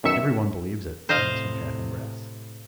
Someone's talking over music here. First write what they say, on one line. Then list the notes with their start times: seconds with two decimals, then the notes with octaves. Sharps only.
"Every one believes it," said Mr. Chaffanbrass.
0.03 B1 F#2 D#3 E5 C#7 E7
1.09 A2 C3 C5 D#5 F5